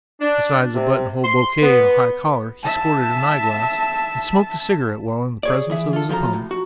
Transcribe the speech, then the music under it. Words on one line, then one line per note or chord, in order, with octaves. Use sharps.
Besides a buttonhole bouquet and high collar, he sported an eye-glass, and smoked a cigarette while in the presence of his opponent.
D4
C3
C6
B3
E5 A5
G#4 C#5 D5
E3 G#4 E5
F4 A4
F#2 F3 F4 A4 A#5
A2
F#4